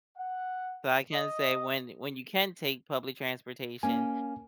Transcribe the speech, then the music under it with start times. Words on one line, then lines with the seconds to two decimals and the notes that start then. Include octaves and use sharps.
So I can say when when you can take public transportation,
0.18 F#5
1.13 D#5
3.83 A#3 C#4 G#5